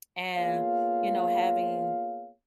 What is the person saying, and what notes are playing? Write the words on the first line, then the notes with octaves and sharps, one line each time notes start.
and, you know, having,
A#3 B3 F4 G#4 C#5 F5